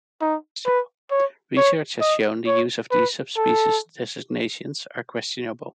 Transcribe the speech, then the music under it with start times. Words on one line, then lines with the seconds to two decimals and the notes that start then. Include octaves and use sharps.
Research has shown the use of these subspecies designations are questionable.
0.21 D#4
0.66 B4
1.11 C#5
1.57 C#5
2.01 D#5
2.47 C#5
2.92 B4
3.37 A4